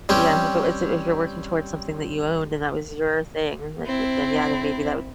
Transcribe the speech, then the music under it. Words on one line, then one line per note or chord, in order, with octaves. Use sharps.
Yeah. If it was if you're working towards something that you owned and that was your thing, then then then, yeah, then maybe that would
G3 C4 C#4 G4
C4 E4